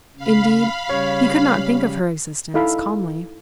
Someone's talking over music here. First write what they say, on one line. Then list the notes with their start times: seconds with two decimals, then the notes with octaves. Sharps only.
Indeed, he could not think of her existence calmly.
0.16 C#3 F5 B5
0.89 C#3 G3 C#4 C#5
2.54 D#4 E4 A4 F5 B5